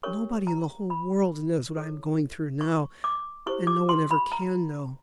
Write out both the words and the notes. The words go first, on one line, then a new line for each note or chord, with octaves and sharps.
Nobody in the whole world knows what I am going through now, and no one ever can know....
D4 G4 A#4 C#5 C#6
A#5
B5
E4 A4 C#5
C#6
D6
E4 G4 C5 C#6
D6
C6
B5
A#5